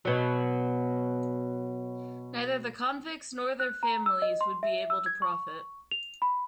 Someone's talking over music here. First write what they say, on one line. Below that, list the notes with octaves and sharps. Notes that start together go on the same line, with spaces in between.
Neither the convicts nor their families would be able to profit.
B2 F#3
F#6
A#5
E6
D#5
C6
E5
E6
G#6
C#6
F7
B5